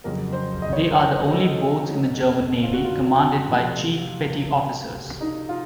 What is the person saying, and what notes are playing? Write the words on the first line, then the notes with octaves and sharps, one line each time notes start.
They are the only boats in the German Navy commanded by Chief Petty Officers.
F2 C#3 F#3 A#4
C5
D#5
C#5
C5
A#4
F#4
A4
F4
F#4
F4
C3 F3 A3
D#4
F4